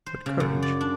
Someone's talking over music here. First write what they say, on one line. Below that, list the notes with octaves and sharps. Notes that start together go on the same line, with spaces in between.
But courage!
C5
C#3
F#2
D5
D4